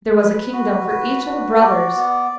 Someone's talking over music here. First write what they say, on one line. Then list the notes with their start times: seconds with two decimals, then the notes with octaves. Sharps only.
There was a kingdom for each of the brothers.
0.17 B4
0.52 F#4
0.88 B4
1.25 F#4
1.60 D5
1.96 B3